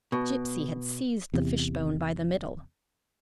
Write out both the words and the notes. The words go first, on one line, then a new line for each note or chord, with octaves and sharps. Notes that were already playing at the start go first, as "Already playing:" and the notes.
Gipsy had seized the fishbone by the middle.
B2
E2 C3